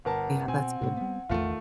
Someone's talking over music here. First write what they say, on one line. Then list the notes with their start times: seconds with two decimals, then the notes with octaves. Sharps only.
Yeah, that's good.
0.05 G1 A#4 F#5 A5
0.48 B2 C4 G#5
0.81 A2 C3
0.97 G3 B3
1.29 D#1 A1 E2 D#3 A3 F4